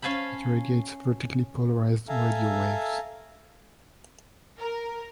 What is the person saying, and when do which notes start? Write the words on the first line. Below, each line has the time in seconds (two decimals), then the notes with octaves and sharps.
It radiates vertically polarized radio waves.
0.02 C#4 F5 G#5 A5 B5
2.09 A4 E5 F5 G#5 A#5
4.59 A#4